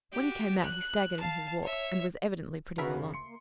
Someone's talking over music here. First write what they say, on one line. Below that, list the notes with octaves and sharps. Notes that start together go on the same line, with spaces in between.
When he came out he staggered in his walk, and was evidently pretty well on.
F#4 G4
F#6
F5 A5
C#5 E5
C#3 B3 F#4 A#4 B4 E5 B5
F#2 C3
D2 C6 C#7
A#3